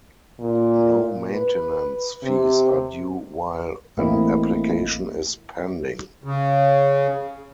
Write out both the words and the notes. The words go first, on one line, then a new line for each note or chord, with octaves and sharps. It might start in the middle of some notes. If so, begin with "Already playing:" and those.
No maintenance fees are due while an application is pending.
A#2
B4
C3
A1 A3 A#3 C4 E4 D#5
C#3